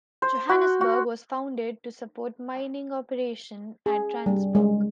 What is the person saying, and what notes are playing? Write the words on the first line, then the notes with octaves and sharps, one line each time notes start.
Johannesburg was founded to support mining operation at Randsburg.
C5
F#4
F#4
G#4
G3
G#3